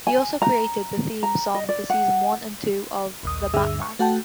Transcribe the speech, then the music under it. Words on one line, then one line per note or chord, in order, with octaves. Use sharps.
He also created the theme song for season one and two of "The Batman".
G#5
A#5
A#5
D#5
D5
F#5
A#1 D#2 D#6
D2 G2 D3 G#4 E5 E6
C#6
A3 F#4 F#5 G5 A5